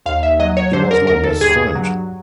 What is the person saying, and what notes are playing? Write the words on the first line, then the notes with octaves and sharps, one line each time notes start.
He was my best friend.
D#2 F5
E5
F#3 D#5
C#5
D3 C5
A#4
D#2 A#4
A4
G2 G#4
F#3